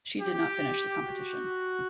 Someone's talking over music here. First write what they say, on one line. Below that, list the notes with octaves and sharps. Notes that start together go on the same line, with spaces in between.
She did not finish the competition.
G4
F#4